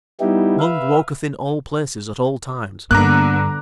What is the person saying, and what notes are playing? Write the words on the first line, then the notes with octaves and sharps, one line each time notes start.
Mung walketh in all places at all times.
G3 B3 D#4 E4 G4
B4 E5 F5
G2 D3 A#3 B3 A#5 D6 F#6